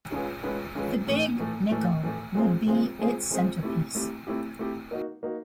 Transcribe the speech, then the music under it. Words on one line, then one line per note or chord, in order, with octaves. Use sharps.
The Big Nickel would be its centrepiece.
G#3 C#4 F4 G#4 B4
G#3 C#4 F4 G#4 B4
G#3 C#4 F4 G#4 B4
A2 E3 A3
A2 E3 A3
A2 E3 A3
A2 E3 A3
G#3 C4 F4 G#4 C5
G#3 C4 F4 G#4 C5
G#3 C4 F4 G#4 C5
G#3 C4 F4 G#4 C5
A3 C4 E4 G4
A3 C4 E4 G4
A3 C4 E4 G4
A3 C4 E4 G4
A#3 D#4 F#4
A#3 D#4 F#4